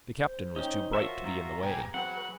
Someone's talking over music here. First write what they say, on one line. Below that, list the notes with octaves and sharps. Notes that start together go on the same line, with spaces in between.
The captain was too bright to be in the way.
C5
C#4 D#4 G4
F4 F#4 A#4 C#5 E5 A5
G2 A#5
B2 G3 G#4
F#3 C4 G#4 B4 F#5